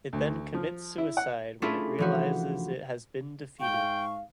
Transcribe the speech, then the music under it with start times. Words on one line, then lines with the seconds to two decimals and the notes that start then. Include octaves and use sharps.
It then commits suicide when it realizes it has been defeated.
0.13 D2
0.54 F3
0.98 E4
1.17 F#5
1.62 A3 C#4 D4 E4 F4 G#4
1.98 E3 F3 F#4
3.60 G#2 G#3 F5 G5 C#6